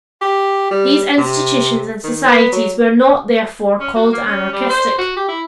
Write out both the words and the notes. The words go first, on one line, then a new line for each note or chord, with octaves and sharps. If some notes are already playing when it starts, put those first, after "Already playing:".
These institutions and societies were not, therefore, called anarchistic.
G4
G3
C3
D#3
B3
F#3
C#4
F#4
A#3
C#4
G3
C5
F#4
G4
E4